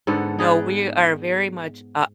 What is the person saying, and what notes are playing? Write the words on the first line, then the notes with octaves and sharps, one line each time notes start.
No, we are very much up.
G#2 D3 B3 A4
D#4 G#4 B4 D5